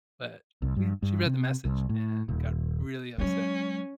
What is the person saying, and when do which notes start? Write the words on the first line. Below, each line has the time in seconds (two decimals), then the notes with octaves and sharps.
but she she read the message, and got really upset.
0.62 C2
0.76 G2
1.03 G2
1.26 C3
1.65 C2
1.89 A2
2.29 D#1
3.18 F#3 G#3 C#4